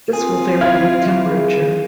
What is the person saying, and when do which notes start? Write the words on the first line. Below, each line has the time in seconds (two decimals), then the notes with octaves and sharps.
This will vary with temperature.
0.13 C4 F4 G#4
0.61 E4 F5 F6 G#6
1.26 G#4